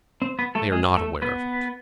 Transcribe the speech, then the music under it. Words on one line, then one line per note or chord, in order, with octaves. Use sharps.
"They are not aware of it."
C4
B3 B4
A3 A4
G#3 G#4
A3 A4
B3 B4